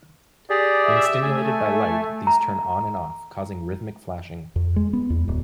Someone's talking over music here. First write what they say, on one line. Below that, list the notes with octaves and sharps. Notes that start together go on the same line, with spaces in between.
When stimulated by light, these turn on and off, causing rhythmic flashing.
G4 G#4 D5
E5
A3 G#5
A#5
F2
G#3
B3
E2
D1